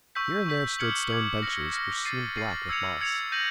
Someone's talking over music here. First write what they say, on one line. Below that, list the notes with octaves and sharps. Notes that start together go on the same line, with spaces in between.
Here and there stood stone benches which seemed black with moss.
C#6 E6 G6 B6
C#6 E6 G6 B6
D6 F6 G#6 C#7 F#7
D6 F6 G#6 C#7 F#7
F6 A#6 C#7
F6 A#6 C#7
A6 C7 D#7
A6 C7 D#7
E6 G#6 C#7 F7
E6 G#6 C#7 F7
G6 A#6 D#7 F#7